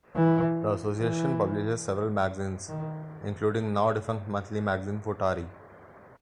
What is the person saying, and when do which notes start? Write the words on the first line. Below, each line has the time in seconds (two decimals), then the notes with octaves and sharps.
The association publishes several magazines, including now-defunct monthly magazine "Futari".
0.16 E3
1.00 E3
2.69 D#3